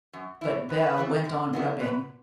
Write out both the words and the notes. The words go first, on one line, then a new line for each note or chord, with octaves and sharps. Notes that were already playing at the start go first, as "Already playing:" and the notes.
But Bell went on rubbing.
F#2
E3 A3 E4
F#2 B4
E3 A3 E4
F#2
D#3 F#3 B3 E4
F#2 B4